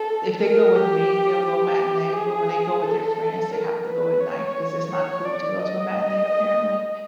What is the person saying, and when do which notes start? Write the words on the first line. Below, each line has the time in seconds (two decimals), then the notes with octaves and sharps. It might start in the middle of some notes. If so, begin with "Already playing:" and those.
if they go with me they'll go matinee but when they go with their friends they have to go at night 'cause it's not cool to go to a matinee apparently.
Already playing: A4
0.40 A#4
0.76 G4
1.45 G4
2.13 G#4
2.83 A4
3.52 A#4
3.87 B4
4.21 C#5
4.91 C#5
5.25 D5
5.59 D#5